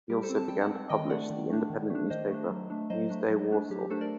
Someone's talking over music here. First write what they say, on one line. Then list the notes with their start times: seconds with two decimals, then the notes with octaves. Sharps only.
He also began to publish the independent newspaper "News Day Warsaw".
0.10 G3 G4 A#4
0.23 A4 C5
0.30 C4
0.36 A5
0.48 G3 G5
0.61 F#5 A5
0.70 C4
0.89 D#3 D#5 G5
1.10 A3 D4 D5 F#5
1.30 D#3
1.49 A3 D4
1.70 D#3
1.90 A3 D4
2.10 D#3 C5 D#5
2.30 A3 D4
2.50 F#3
2.70 A3 D4
2.90 F#3 C5 D#5
3.10 A3 D4
3.30 F#3
3.51 A3 D4
3.70 F#3 G4
3.80 G4
3.90 A3 D4 A4 C5
4.01 A#4 D5